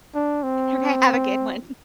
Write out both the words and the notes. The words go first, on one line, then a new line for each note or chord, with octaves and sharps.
Okay, have a good one.
D4
C4